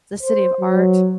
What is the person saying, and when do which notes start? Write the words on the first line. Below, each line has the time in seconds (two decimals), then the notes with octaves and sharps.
the city of art.
0.23 C5
0.60 F#3